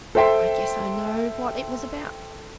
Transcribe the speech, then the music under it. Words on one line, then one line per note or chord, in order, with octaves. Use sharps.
'I guess I know what it was about.'
A4 C5 E5 G5 C6